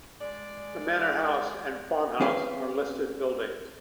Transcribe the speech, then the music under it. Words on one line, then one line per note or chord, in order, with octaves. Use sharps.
The Manor House and farm house are listed buildings.
G#3 D5
C4 C#4 G#4 B4 F5